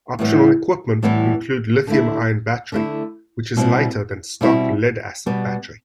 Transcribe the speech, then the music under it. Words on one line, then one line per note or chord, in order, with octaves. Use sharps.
Optional equipment include lithium-ion battery, which is lighter than stock lead-acid battery.
A2 E3 G3 B3
A2 E3 G3 B3
D3 A3 E4
D3 A3 E4
B2 G3 C4 E4
B2 G3 C4 E4
B2 G3 B3